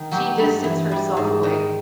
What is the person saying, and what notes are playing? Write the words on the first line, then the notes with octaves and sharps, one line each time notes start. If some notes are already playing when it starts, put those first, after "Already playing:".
she distanced herself away.
Already playing: D#3
F#3 G4
G2
E3
G3
G#2
D#3